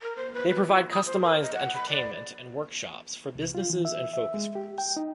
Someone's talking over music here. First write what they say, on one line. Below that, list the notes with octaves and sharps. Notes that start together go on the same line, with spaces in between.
They provide customized entertainment and workshops for businesses and focus groups.
A#4
C5
B4
B4
F4
D#6
C5
A#4
D#5
F#5
B5
D5
C2
F4
E3
E5
E5
G#3
G4
G5
D#4